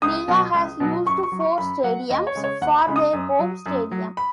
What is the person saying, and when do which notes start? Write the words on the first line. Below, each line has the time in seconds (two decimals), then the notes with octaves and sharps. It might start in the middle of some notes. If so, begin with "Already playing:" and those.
Liga has used four stadiums for their home stadium.
0.02 C#2 D#6
0.28 B2 F#3
0.54 C#2
0.80 B2 F#3
1.05 F#2 C#6
1.23 C#6
1.32 F#3
1.40 C#6
1.58 F#2 B5
1.83 F#3 F#5
2.10 D#2 D#5
2.27 C#5
2.36 C#3 G#3
2.44 C#5
2.61 D#2 F#5
2.79 B5
2.87 C#3 G#3
2.96 D#6
3.13 F#2
3.39 F#3
3.66 F#2
3.91 F#3
4.17 B5